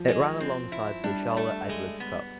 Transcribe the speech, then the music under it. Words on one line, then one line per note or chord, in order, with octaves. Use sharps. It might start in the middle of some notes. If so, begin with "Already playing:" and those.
It ran alongside the Charlotte Edwards Cup.
Already playing: F3
G#3
C4
E4
G3 D4
A3
G#3
B3